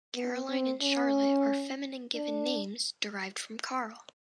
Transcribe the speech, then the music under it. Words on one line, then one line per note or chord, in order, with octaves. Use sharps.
Caroline and Charlotte are feminine given names derived from "Carl".
B3
C4
C#4
D4